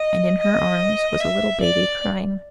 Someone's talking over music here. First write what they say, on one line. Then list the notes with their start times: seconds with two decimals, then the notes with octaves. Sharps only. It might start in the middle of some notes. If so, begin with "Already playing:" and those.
And in her arms was a little baby crying.
Already playing: D#5
0.40 D#5
1.20 E5
1.61 D5